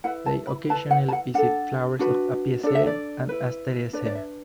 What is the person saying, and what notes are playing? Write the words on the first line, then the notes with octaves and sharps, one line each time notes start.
They occasionally visit flowers of Apiaceae and Asteraceae.
E4 B4 F#5
A5
B5
E4 B4 A5
F#5
A5
F#5
D4 A4 F#5
D4 F#4 B4
D4 A4 D5
E5
D5
E4 B4
D4 B4 D5
D5
E5